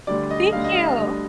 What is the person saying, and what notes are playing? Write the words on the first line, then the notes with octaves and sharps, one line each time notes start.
Thank you.
D2 D3 G3 D5
D#5
D2 D3 G3 F5
D#5
F5
D#5
D2 D3 G3 D#5